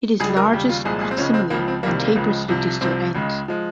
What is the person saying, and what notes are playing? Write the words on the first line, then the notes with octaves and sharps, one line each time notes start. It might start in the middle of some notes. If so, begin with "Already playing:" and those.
It is largest proximally and tapers to the distal end.
C#2 C#3 G3 G#4
A#4
D#2 C#3 G3 G4
F4
C2 A#2 F3 G#3 G#4
G#4
C4
C#2 C#3 F3 G#3 C#4
C4
C#2 C#3 F3 A#3
C4
C2 C3 D#3 G3 A#3
A#3
C#2 C#3 F3 G#3
C2 C3 F3
C2 C3 F3 C4
C#2 C#3 G#3
F3 G#3